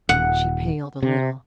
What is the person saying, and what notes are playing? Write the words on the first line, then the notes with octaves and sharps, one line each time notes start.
She paled a little.
D#1 F#5
C3